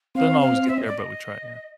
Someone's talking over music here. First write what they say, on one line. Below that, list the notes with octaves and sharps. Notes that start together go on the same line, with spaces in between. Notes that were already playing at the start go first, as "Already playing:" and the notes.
Doesn't always get there, but we try, yeah.
C4 F5
F5
E5
D#5
D5
D#5